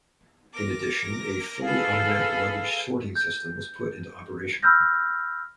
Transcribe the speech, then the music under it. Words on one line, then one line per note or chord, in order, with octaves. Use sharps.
In addition, a fully automatic luggage sorting system was put into operation.
A#4 D6 A#6
G#4 A4 B4 F5
G6
B5 E6 F6 G6 A#6